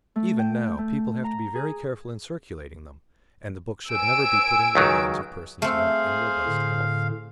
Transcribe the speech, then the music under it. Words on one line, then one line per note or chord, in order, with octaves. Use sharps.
Even now people have to be very careful in circulating them, and the books should never be put into the hands of persons not in robust health.
A3
G5
A3
A#5
G#4
G#5 E6 D7
C#2 D#3 F#3
A3 C4 G#4 C5 F5
A2 D3